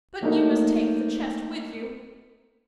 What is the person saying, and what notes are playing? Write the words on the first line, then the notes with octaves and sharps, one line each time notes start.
'But you must take the chest with you.
F#3 A3 A#3 D#4